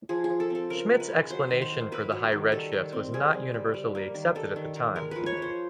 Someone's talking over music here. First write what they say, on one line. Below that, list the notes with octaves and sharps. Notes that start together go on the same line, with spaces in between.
Schmidt's explanation for the high redshift was not universally accepted at the time.
F3 G#4
G#4
F3
A4
C4 A4
C#3 A#4
G#3
B4
G#3
F#3 C5
D#3
C5
A#3
A#3 B4
F#3
D#3
G3 A4
D#3
C4
G3 G#4
C4
G3
G3
A#3
D#3
G3 A4
D#3
D#3
G#3 A#4
F3 B4
C#5
F3
C5